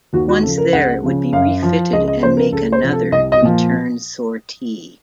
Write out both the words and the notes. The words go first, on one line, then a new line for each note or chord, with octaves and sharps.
Once there, it would be refitted and make another return sortie.
D#2 F#4
F#4
C#3 F3 A4
A#4
C#2 F#5
C#3 F3
F#2 F5
F3
C#2 D#5
D#5
C#3 F3 C5
A#4
C#2 A4
C5
C3 F3
A4
C2 D#5
D#5
A#2 F3